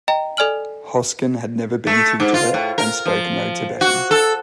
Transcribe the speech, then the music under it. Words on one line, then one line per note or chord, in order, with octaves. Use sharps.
Hoskin had never been to Tibet and spoke no Tibetan.
D#5 G5 A#5
A4 D5 G#5 F6 F#7
A3
G#2
F4
A2
A#4
F3
F#4
A4